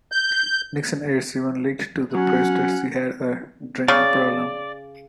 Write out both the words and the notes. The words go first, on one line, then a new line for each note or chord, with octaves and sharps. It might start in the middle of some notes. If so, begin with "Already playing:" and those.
Nixon aides even leaked to the press that she had a "drinking problem".
G6
F#3 C#4 F#5
C#3 D5